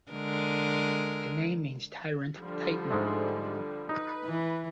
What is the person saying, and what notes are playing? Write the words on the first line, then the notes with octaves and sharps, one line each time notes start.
The name means "Tyrant titan".
D3 G#3 A#4
D3 F3 G3
G#2 G#3 A3
D#4 B4
E3